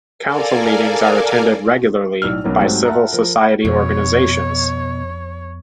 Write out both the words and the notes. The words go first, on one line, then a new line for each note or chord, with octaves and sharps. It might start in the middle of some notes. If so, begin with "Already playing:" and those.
Council meetings are attended regularly by civil society organizations.
A4 A#4 D5 F5 G#5
B1 A2 D5 E6 F6
B1 B3 C#4 A#4
G#2 F#3 A3 C4 G4
E5 F#5 A5 A#5
F3 A#4
F2 B2 C#5